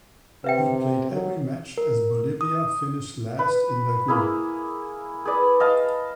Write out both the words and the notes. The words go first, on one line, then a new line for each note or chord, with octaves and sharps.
He played every match as Bolivia finished last in their group.
C3 B4 E5 G5
F#3
A#4
D#6
B4
A#3 E4 G#4
G#4 B4 D5
D#5 F5 A5